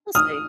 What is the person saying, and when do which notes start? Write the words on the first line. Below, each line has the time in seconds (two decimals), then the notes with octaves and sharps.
we'll see.
0.15 D#6 F6